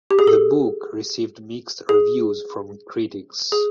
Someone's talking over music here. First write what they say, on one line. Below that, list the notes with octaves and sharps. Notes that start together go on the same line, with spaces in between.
The book received mixed reviews from critics.
G4
G#4
A4
G#4
G#4